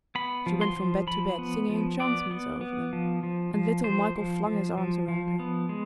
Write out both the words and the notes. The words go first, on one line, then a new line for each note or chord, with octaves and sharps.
She went from bed to bed singing enchantments over them, and little Michael flung his arms round her.
B3 B5
F3
C6
F3
F3 B5
B3
F3
B3 D5
B3
B3
F3
F3
F3
F3 C5
F3
F3
F3
F3
B3
G#3